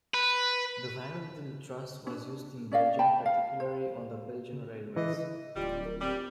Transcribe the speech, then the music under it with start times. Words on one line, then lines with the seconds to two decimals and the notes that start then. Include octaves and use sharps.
The Vierendeel truss was used in Belgium, particularly on the Belgian railways.
0.14 B4
2.07 C#4 D4
2.72 C#4 D5 D#5 F5
2.99 G5 A5 B5
3.26 F5
3.60 C5
4.53 C#3
4.96 E3 D#5
5.56 D1 G3 F4
5.84 A#4
6.00 G3 C4